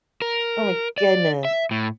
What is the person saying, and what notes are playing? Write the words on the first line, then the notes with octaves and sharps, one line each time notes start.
Oh my goodness.
A#4
D5
E5
A2